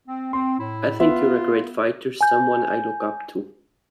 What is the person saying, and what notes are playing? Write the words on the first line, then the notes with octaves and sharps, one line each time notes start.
I think you're a great fighter, someone I look up to.
C4
C4 C6
A2 E4
B3 F4 E5
G#5 G6